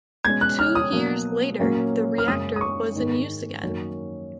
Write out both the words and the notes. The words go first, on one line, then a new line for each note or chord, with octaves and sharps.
Two years later the reactor was in use again.
B2 G#3 C#4 G#6
F#6
F6
D#6
B2 F#3 A#3
A#2 F#3 A#3 C#4
F6
F#2 C#3 G#3 C#4 D#6
D#6
C#6
G#2 D#3 G#3
F#2 D#3 F#3 A#3 C#4